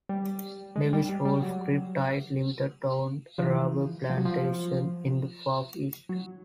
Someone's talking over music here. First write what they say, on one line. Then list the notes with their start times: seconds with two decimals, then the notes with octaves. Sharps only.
Lewis Woolf Grip-tight Limited owned a rubber plantation in the Far East.
0.09 G3
0.76 G#3
0.93 G3
1.09 G3
1.25 G3
1.42 F#3
3.38 F3
3.43 E3
4.10 F3
4.18 F#3
4.25 F3
6.09 F#3